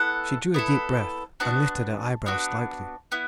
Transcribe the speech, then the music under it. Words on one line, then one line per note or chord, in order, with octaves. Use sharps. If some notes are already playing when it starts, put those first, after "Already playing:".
She drew a deep breath, and lifted her eyebrows slightly.
Already playing: B3 E4 A4 F#5
B3 E4 A4
B3 D4 F#4 A5
B3 D4 F#4
B3 E4